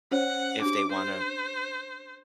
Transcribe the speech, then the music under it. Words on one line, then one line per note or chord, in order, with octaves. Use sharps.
if they wanna
C#4 C5 C#5 F#5
D4 G4 D6
C5